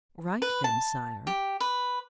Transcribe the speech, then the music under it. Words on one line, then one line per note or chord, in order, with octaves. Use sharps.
"Write, then, sire."
B4
A5
G4
B4